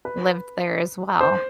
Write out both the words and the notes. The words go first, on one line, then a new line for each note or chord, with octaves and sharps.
lived there as well.
B4
C5